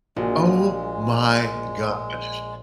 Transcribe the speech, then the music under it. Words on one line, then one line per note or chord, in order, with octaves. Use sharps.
Oh my gosh.
A#1 A#2 G#3 F#4